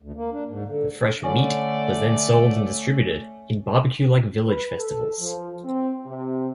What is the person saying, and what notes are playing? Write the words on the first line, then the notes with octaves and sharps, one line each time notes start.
The fresh meat was then sold and distributed in barbecue-like village festivals.
D2
A#3
D4
G#2
D3
D3 A3 C#4 D5
B4
A4
F3
C4
C3